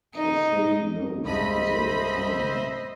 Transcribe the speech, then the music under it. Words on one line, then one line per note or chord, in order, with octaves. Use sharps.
Kessai Note is a commoner.
D#4 D#5
C2 G2 G#3 C5 D#5 E5 B5